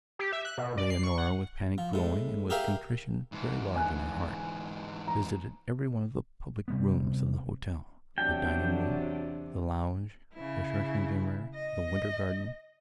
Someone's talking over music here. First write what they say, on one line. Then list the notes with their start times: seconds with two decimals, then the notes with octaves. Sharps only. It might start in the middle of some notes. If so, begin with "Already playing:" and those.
Leonora, with panic growing and with contrition very large in her heart, visited every one of the public rooms of the hotel--the dining-room, the lounge, the schreibzimmer, the winter garden.
0.19 G4
0.32 E5
0.45 F#6
0.58 B2
0.77 D5
0.90 C7
1.04 C#6
1.18 F#5
1.78 F3
1.93 A2 G#3
2.50 G4 G#4 A#4 E5 F5 G5
3.32 G#2 E3
3.76 G#5 F#6
5.07 A#5
6.68 C3 G3 B3
8.18 E2 C3 F#3 D4 G5
10.34 C#3 E4
11.55 D#5